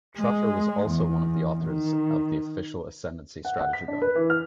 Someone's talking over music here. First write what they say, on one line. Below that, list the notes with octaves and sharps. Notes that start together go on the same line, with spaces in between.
Trotter was also one of the authors of the official Ascendancy strategy guide.
G#3
E2
D#3
F#5
F#5
B6
D4
B4
E3
F6